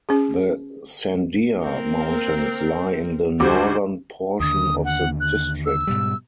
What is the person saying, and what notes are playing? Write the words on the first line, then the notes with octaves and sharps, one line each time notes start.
The Sandia Mountains lie in the northern portion of the District.
C#4 G#4
A#3 C4 A#4
D2 G3 F#4 C5 D6
D#2 D3 D#6
F#5
F#6
E6
G#2 B2 G3